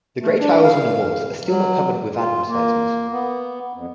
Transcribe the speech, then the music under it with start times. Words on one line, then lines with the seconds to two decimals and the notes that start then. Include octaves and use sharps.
The grey tiles on the walls are still not covered with advertisements.
0.22 A3
0.39 D4
0.63 F5
1.45 F#3
2.15 F4
2.47 A#3
3.12 B3
3.73 F2